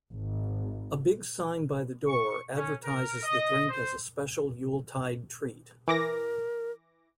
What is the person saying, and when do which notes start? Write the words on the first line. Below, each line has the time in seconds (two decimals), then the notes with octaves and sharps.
A big sign by the door advertises the drink as a special Yuletide treat.
0.11 G#1
2.07 C#6
2.55 C#4
2.84 A#4
3.23 D#5
3.69 C5
5.88 E3 A#4 D6 A#6